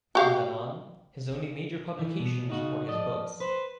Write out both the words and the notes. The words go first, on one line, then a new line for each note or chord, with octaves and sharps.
From then on, his only major publications were his books.
F#4 G4 F5
E3
B2
C#3 D#4 F#4
F3 D5 D#5
B4 C5